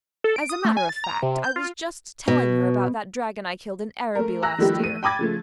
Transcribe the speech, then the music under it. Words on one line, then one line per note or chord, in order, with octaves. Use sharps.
"As a matter of fact I was just telling her about that dragon I killed in Araby last year."
A4
D7
D#6
A3
G#5
A6
A#5
C3
G6
F4
B2
A3 A#4
A#5 E6 F#6 A#6
D#3 F3 G3 A3 E4 G4
A3 D#7
G5 B5 D6 G#6 A6
C#3 F3 A3